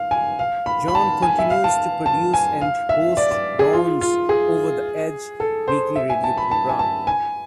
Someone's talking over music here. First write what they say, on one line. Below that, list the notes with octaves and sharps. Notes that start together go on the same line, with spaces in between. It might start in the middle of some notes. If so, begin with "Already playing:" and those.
Jon continues to produce and host Don's "Over the Edge" weekly radio program.
Already playing: F5
G#5
F5
B5
B5
A5
G#5
E5
F5
A5
A5
G#5
F5
E5
D5
D5
G#4
F4
F4
G#4
A4
C5
E5
G#5
A5
B5
A5
G#5
A5
G#5